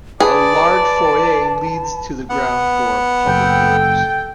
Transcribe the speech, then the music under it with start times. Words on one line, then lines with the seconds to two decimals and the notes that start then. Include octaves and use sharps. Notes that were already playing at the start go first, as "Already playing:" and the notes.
A large foyer leads to the ground floor public rooms.
0.20 G#4 B4 D5 A5
2.29 B3 F#5
3.27 F#1 A4 G5